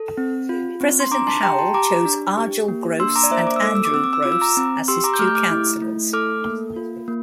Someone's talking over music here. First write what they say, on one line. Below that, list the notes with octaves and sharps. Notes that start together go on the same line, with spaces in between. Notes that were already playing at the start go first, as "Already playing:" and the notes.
President Howell chose Argel Gross and Andrew Gross as his two counselors.
Already playing: A4
C4
F4
C4
C6
D4 A#5 D6
A5 C6
G4 G5 A#5
A5 C6
G4 A#5 D6
D4
G4
A#3
D4 C6 E6
A#5 D6
D5
A#3 C5 E5
D6
E6
A4 D6
E6
D6
C4 E6
D6
E6
F4 D6
E6
A#5 D6
C4
G4 C6 E6
A#5 D6
G6
A3 D6 F6
G6
D6 F6
E4
A3
A4 D6 F6
A#3
F4
A#3